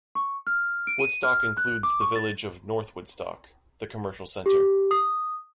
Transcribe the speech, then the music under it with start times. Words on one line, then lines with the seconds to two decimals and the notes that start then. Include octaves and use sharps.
Woodstock includes the village of North Woodstock, the commercial center.
0.15 C#6
0.47 F6
0.87 D7
0.99 D#7
1.23 F6
1.57 F#6
1.83 D6
2.01 C#6
2.16 A6
4.46 G4
4.91 D#6